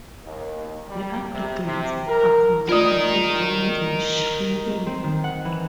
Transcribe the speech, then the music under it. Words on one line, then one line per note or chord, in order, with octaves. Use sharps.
The aggregates are continuously growing and shrinking.
D#2
G3
C3
C3
A#4
F4 A#4 D5 D#5 D#6
C4
D#3
F#5
E3